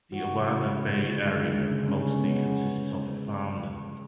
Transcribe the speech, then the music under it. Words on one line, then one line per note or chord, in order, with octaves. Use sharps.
The Awana Bay area mostly consists of farmland.
E3 F#4
C#3
F#4
C#3 E4
G#3
G#3
D3
G#3
D3
G#3
C#3
G#3 C#4
C#3
B3
G#3 C#4